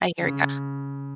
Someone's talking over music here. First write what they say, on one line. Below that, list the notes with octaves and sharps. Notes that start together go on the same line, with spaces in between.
I hear ya.
C#3